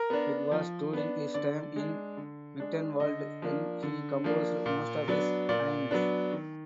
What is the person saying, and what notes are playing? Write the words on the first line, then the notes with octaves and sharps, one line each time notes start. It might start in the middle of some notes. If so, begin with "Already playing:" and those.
It was during his time in Mittenwalde when he composed most of his hymns.
Already playing: A#4
B3 D4
F3
B3 D4
D3 D5
G#3 D4
D3
G#3 D4
D3 D#5
F3 A#3 D4
D3
F3 A#3 D4
A#2
F#3 B3 D4
A#2 D5
F#3 B3 D4
D#3